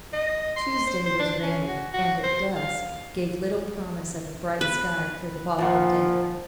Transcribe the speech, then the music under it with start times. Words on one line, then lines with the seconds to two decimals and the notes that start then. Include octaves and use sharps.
Tuesday was rainy, and at dusk gave little promise of a bright sky for the following day.
0.13 D#5
0.56 C6
0.87 C5
1.06 C5
1.19 D4
1.42 C#4
1.67 F#4
1.93 F#4
2.23 C5
2.56 F5
4.61 B4
5.59 G2 A#2 F3 F4 F#5